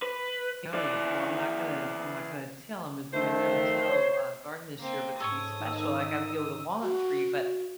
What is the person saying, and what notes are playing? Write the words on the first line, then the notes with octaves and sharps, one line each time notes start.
found it well, I'm not gonna I'm not gonna till. Imma do a no-till, uh, garden this year, but it's gonna be special. I gotta deal with a walnut tree, but
B4
E3 D5
F2 D#3 A3 C5
C#5
A#3 C4
G#2 A4 C#5 C#6 D#6
D#3 D#4 E6
F#4